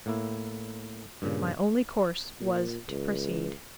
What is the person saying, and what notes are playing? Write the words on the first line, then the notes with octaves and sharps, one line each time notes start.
My only course was to proceed.
A2 A#3 E4
G2 A#2 C#3
A#2
C#2